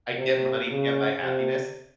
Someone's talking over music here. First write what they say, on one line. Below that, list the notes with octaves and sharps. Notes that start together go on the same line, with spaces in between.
I get money can't buy happiness,
C3
C#3
C3